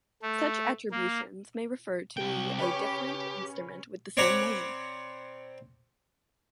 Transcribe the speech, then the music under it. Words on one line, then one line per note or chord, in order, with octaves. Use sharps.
Such attributions may refer to a different instrument with the same name.
A3
A#3
C2 G5
C#3 G4 B4 C#5
C4 C#5 D5 F#5 A#5 B5